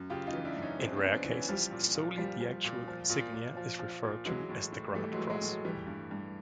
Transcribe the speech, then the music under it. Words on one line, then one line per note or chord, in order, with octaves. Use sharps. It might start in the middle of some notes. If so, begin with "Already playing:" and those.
In rare cases, solely the actual insignia is referred to as the "grand cross".
Already playing: F#2
C#3 F4 G4
D#4 F4
E3
D4 E4
F#2
C#4 D#4
F#2 C4 D4
B3 C#4
C#3
C4 D4
E3
B3 C#4
F3 G3
A#2
A#2
F3 G3
F3
A#2
F3
A#2
A#2
F3
F3
A#2
E3 F#3 G#3
A2
A2
E3 G3 A3
F#3 G#3
E3
F#3 G#3
A2
F#3
E3 G3
G2
G2